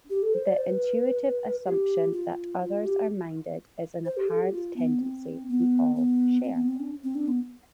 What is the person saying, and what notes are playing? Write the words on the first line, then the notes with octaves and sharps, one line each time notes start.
The intuitive assumption that others are minded is an apparent tendency we all share.
G4
A4
C5
D5
C5
B4
G4
F4
F4
G4
C5
G4
A4
G4
F4
B3
C4
B3
B3
C4
B3
C4
D4
C4
D4
B3